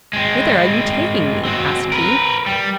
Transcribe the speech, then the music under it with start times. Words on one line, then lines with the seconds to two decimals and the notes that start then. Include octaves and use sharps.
"Whither are you taking me?" asked he.
0.13 G#3 C4
1.45 C4 F#4
1.92 A#4 B4
2.46 G3